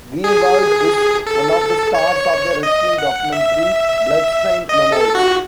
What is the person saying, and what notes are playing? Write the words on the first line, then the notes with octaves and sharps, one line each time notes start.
Greenwald is one of the stars of the wrestling documentary, "Bloodstained Memoirs".
G#4
A4
C#5
D#5
F#5
E5
D#5
A4
F#4